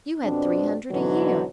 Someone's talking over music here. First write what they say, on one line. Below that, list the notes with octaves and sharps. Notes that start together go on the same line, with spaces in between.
You had three hundred a year.'
F2 B2 C4 D4
F2 G#2 B2 D3 E3 F#3